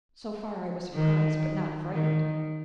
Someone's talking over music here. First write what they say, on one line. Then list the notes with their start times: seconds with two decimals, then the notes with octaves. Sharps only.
So far, I was surprised, but not frightened.
0.94 D#3
1.94 D#3